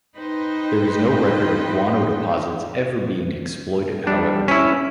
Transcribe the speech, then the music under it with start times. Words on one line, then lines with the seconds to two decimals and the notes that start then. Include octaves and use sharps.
There is no record of guano deposits ever being exploited, however.
0.17 D#4 B4 C5 D#5 G5
4.07 G3 D4
4.48 C#4 E4 B6